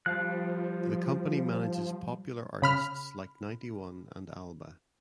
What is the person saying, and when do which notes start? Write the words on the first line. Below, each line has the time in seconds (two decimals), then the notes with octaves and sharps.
The company manages popular artists like Ninety One and Alba.
0.06 F3 G3 F5 F#6
2.62 C#3 B5 F6